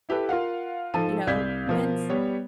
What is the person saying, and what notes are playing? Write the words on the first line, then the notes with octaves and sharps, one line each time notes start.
you know, when's
E4 G4 A4 B4
F4 A#4 F5 F#5
G#2 F3 A4 A5 D#7
C2 D5 F5 G6 G#6 B6
B2 F3 A#4
G3 B3 C#5